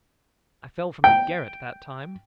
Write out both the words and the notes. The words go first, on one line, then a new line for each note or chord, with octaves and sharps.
I fell from the garret that time.
G5